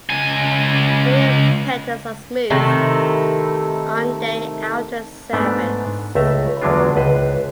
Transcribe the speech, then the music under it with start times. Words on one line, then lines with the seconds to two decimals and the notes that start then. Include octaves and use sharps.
The inner petals are smooth on their outer surface.
0.10 C#2 G#5
2.50 C3 D#3 A3 E4
5.33 G#2 A3 B3 D4
6.15 C#2 A3 E5 A#5
6.62 E2 D3 F#3 G#3 D4 F4
6.96 C#2 B4 C5